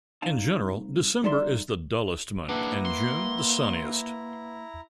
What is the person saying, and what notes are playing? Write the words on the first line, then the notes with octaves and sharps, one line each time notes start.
In general, December is the dullest month and June the sunniest.
C2 D#4 F5 A5
G3 D#4 A4 D5 E5 C6
A#3 D4 E4 G#4 B4 F#5 A#5 D6
C6